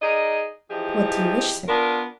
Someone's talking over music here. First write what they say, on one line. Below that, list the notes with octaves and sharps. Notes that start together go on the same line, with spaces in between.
"What do you wish, sir?"
D#4 G#4 A#4 D5 D#5
E3 F3 D#4 G4 G#4
B3 D4 F4 A#4